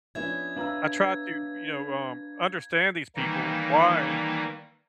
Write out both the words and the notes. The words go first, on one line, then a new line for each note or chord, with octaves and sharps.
I try to, you know, um, understand these people. Why?
F3 B3 C#4 D4 C#5 E5 G#6
D4 B4 F5 A#5 E6
D#3 E3 G3 A#3 D#4